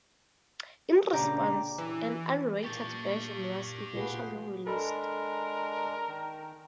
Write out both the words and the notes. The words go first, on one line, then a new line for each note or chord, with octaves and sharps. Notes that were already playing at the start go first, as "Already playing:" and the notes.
In response, an unrated version was eventually released.
A#2 C#3 D4 G4 A#5 D6
E3
A#2 G4 A5 C#6
A#2 F4 F#4 G#4 B4 C7
G#3 D4 A4 A#4 B5 F6
D#3